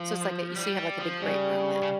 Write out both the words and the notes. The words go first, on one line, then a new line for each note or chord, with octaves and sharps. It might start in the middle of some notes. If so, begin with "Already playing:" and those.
So, it's like, a so, you have, like, a big great room then.
Already playing: F3
G3
G3
F3
C#3 G3
C#3